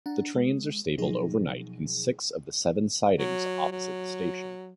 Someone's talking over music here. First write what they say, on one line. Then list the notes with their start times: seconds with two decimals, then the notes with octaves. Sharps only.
The trains are stabled overnight in six of the seven sidings opposite the station.
0.06 D4 F#5 A#5
0.35 G#3
0.98 B2 F3 F#3 D#4 G#4
3.19 F#3
3.72 F#3